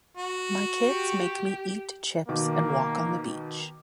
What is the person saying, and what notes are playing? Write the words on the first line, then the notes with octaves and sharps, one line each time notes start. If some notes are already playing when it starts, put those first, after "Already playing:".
My kids make me eat chips and walk on the beach.
F#4
G4
B2 D#3 A#3 D6